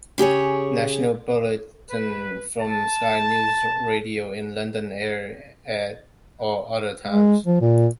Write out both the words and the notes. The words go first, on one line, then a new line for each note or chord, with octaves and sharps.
National bulletins from Sky News Radio in London air at all other times.
C#3 G4 G#4 C#5
B4
A5
G#3
F3
A#2